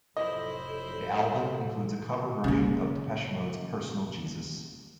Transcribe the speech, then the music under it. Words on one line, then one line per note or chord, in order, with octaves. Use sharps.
The album includes a cover version of Depeche Mode's "Personal Jesus".
F1 A2 F#3 E4 A4 C5 D#5
C#3 A#3